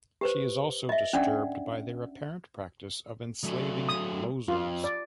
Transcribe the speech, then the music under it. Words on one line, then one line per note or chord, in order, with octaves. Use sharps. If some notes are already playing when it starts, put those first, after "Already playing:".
She is also disturbed by their apparent practice of enslaving Losels.
G4 B4 C5
D#5 E5
C#4 D4 D5 F#5
F#3 A3
D#6
F2 F4
D5